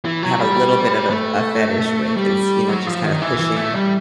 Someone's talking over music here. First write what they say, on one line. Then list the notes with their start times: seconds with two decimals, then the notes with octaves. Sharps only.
I have a little bit of a a fetish with is, you know, just kind of pushing
0.05 E3
0.23 F#3
0.39 G3
1.10 A3
2.17 G3
2.69 F#3
2.87 F3
3.04 D#3
3.22 E3
3.39 E3
3.57 A3
3.75 G3